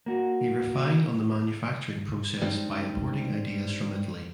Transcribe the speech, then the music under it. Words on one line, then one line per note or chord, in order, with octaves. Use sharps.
He refined on the manufacturing process by importing ideas from Italy.
A#3 F#4
G3 G#3 C4 D4 D#4